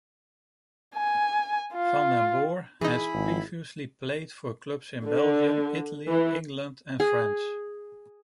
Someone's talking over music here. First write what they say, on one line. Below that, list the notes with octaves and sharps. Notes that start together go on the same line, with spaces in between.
Vanden Borre has previously played for clubs in Belgium, Italy, England and France.
G#5
F4
E3 D#4 E4 G#4 B5
G#1
D3
E3
G#4